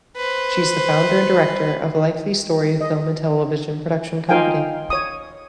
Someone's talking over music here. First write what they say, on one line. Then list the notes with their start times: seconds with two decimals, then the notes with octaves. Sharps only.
She is the founder and director of "likely story" film and television production company.
0.16 B4 C5
2.81 D#5
4.29 D#4 F4 A#4 F5 G5 G#5
4.90 C#5 D#6